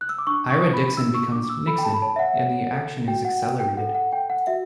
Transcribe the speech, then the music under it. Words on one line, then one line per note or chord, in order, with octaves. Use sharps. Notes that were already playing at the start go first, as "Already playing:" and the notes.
Ira Dixon becomes "Nixon," and the action is accelerated.
F#6
E6
D6
D4 C#6
C#6
D4
B5
D4 E6
C#6
D4 D6
D6
E6
A4 B5
G5
A5
B5
C#5 A5
E5
F#5
C#5
A4
F#4 G5
F#5
F#4 G5
G5
A4 F#5
F#5
A4 G5
F#5
F#4 E5